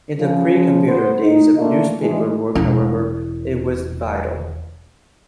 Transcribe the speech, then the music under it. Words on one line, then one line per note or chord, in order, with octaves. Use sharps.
In the pre-computer days of newspaper work, however, it was vital.
C#3 F3
B3 C5
D#4
A3 A#3 D4 F4
E3 G#3 D4
E1 E4